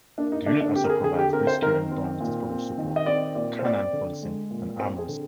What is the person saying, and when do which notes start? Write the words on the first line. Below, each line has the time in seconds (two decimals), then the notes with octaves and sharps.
The unit also provides rescue and bomb disposal support, canine policing, and armoury services.
0.18 A#3 D4
0.32 D#4
0.46 D3 D4
0.61 D4
0.75 C4 G4
0.84 A#4
0.90 G#4
1.04 D3 G#4
1.19 G4
1.33 C4 A#4
1.47 C5
1.62 D#3 A#4
1.91 C4
2.20 A#2
2.49 C4
2.78 D#3
2.96 D#5
3.06 C4 D5
3.35 A#2 D5
3.59 C5
3.65 C4 D5
3.93 D3
4.22 G#3
4.51 A#2
4.79 C4 C5
4.98 G#4
5.09 D3